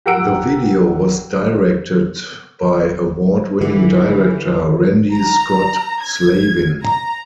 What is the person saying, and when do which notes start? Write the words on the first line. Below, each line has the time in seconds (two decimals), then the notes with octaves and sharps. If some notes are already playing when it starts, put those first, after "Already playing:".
The video was directed by award-winning director Randy Scott Slavin.
0.06 G4 A#4 F#5 E6 D7
3.61 D3 E3
5.13 A#5
6.04 G#6
6.83 A#5